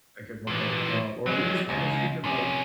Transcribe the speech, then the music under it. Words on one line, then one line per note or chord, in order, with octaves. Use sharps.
I could go back in time, or at least I wish we could, like
A#2 E3
F#3 G#3
C#2
C3 C#4